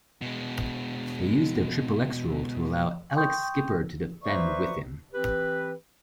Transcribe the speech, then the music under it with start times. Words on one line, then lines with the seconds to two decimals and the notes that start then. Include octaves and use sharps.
They used their "Triple X Rule" to allow Elix Skipper to defend with him.
0.22 B2 G#3
3.16 G5 C6 C#6 D#6 G6
4.24 B4 C5 D5 E5 A#5 C#6
5.13 E3 C4 G4 B4